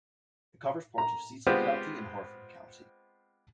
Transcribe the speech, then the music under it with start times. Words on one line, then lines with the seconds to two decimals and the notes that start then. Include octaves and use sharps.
It covers parts of Cecil County and Harford County.
0.98 A#5
1.47 G#3 B3 C4 F4 G4 C5